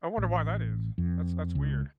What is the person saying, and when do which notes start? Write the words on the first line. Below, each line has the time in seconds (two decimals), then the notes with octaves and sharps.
I wonder why that is. That's that's weird.
0.18 A1
0.98 F2
1.55 C#2